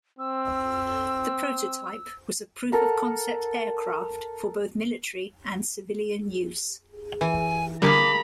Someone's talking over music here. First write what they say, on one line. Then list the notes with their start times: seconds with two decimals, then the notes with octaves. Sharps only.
The prototype was a proof-of-concept aircraft for both military and civilian use.
0.19 C4 E6
2.72 A4 A#4 F#5
7.21 E3 G#5
7.82 D3 G3 A#3 G#4 F5 A#5 B5 D6